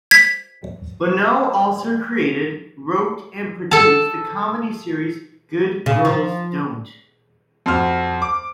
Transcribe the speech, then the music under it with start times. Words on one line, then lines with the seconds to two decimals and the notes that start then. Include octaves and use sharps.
Lonow also created, wrote and produced the comedy series "Good Girls Don't".
0.11 G#6 B6
3.71 A4 A5
5.86 C#3
6.05 F3
7.66 F2 F#4 C6 F6
8.22 D6